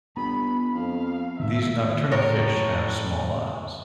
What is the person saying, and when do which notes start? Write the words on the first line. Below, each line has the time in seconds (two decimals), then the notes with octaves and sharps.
These nocturnal fish have small eyes.
0.17 G1 B3 B5
0.75 F2 F5
1.40 B1 A2 D#3 E5
2.12 A2 A#4 C#5